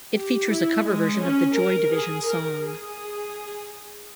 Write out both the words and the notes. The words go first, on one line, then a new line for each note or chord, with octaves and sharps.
It features a cover version of the Joy Division song.
G4
E4
G#3
C#4
A#4
G#4
A#4
G#4